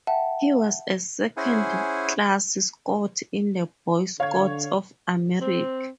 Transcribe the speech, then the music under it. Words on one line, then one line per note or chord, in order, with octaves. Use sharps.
He was a Second Class Scout in the Boy Scouts of America.
E5 F#5 G5 A5
C#4 E4 G#4 C5 F#5 G#5
D3 C#5 F5 G#6
C4